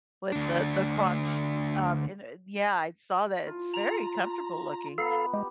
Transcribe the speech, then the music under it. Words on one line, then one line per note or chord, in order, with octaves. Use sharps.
with the the crotch, um, and and yeah. I saw that, it's very comfortable looking!
D2 D4
F4
A#5
B3 A4 F5 A#5 B5
G#3 G4